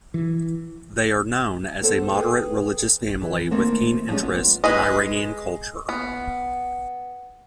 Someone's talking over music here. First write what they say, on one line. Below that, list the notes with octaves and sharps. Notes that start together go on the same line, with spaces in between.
They are known as a moderate religious family with keen interests in Iranian culture.
E3
B3 A4 C5
G#4 A4 B4 G5
E3
D#3 A3 A#3 C4
F3 G3 G#3 C#4 G#4
B3 F4
G#3 B4 D#5
B3